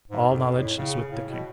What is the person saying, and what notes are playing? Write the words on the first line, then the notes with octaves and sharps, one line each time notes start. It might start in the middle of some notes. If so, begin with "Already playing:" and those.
"All knowledge is with the King."
G#2
F2
A2
C#3
A2
B2